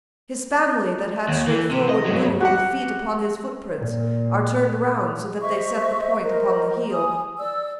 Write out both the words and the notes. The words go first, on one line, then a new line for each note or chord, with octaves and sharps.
His family, that had straight forward moved With feet upon his footprints, are turned round So that they set the point upon the heel.
D#2
E3
C3
D#5
G2 F#3
F#4 G4 F#5
A#2
C5 D#5 E5 C#6
A#4 C5 D#5
G#5 D#6
D5 E6